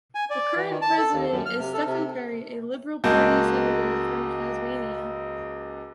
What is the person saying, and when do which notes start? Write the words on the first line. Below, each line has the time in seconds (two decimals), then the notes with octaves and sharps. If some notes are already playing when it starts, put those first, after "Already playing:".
The current president is Stephen Parry, a Liberal Party senator from Tasmania.
0.15 G#5
0.30 D5
0.56 E3
0.70 D#3
0.82 A5
0.98 A4
1.12 D#2
1.31 F#2
1.46 F6
1.58 C3
1.73 A4
1.86 C3
3.04 C#2 G#3 A#3 F#4 A5 G6